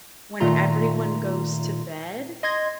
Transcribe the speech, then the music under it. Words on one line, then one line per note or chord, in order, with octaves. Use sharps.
when everyone goes to bed
A#2 D#3 A3 F4 A#5 C6
D#5 C6 G#6 A#6